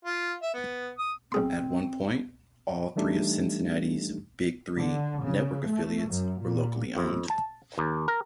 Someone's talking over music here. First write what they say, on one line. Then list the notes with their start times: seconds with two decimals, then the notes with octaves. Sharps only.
At one point, all three of Cincinnati's "Big Three" network affiliates were locally owned.
0.05 F4
0.42 E5
0.54 B3
0.98 D#6
1.32 B1 C4 G#4 C6
2.96 E3 G3 A3 D4 D#4 G4
4.75 D3
5.22 C#3
5.69 A3
6.08 F#2
6.39 A#2
6.97 F2
7.30 A5
7.78 D#2
8.08 A#4